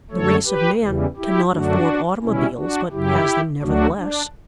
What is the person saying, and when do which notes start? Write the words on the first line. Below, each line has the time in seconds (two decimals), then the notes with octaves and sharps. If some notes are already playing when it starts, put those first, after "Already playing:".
The race of man cannot afford automobiles, but has them nevertheless.
0.11 F#2 D3 F#3 A3 A4 C#5
0.46 G4 B4
0.82 E2 C#3 E3 G3
1.16 E4 G4
1.51 F#2 D3 F#3 A3 D4 F#4
2.22 B2 G3 C#4 E4
2.57 D4 F#4
2.92 F#2 C#3 F#3 E4 G4
3.62 D2 D3 F#3 A3 D4 F#4
3.98 D4